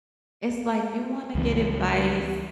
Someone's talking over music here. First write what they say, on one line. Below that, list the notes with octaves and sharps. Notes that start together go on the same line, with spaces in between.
It's like you wanna get advice
C#2 E3